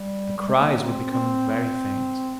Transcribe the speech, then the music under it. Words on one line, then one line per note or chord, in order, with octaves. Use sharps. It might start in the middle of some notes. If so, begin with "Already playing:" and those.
The cries were becoming very faint.
Already playing: G3
G3
G#3
A#3
C4
C4